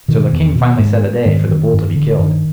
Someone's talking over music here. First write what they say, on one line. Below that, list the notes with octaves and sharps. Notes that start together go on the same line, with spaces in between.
So the king finally set a day for the bull to be killed.
B2 D#3
E2
B2
G#2
G#2 D#3
D#3
G2
D3
G2 D#3